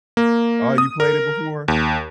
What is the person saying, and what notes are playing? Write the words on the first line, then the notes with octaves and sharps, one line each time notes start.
Oh, you played it before?
A#3
D#6
A#4
D#2